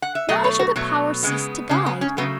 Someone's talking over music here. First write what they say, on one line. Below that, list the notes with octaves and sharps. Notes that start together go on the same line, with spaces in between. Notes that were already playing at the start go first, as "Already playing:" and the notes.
Why should the Power cease to guide?
F#5
E5
B2 F#3 A3 D#5
C#5
F#4
B2 F#3 A3
C#3 G#3 B3
C#3 G#3 B3 C#4
B3
C#4
C#3 F#3 A3 B3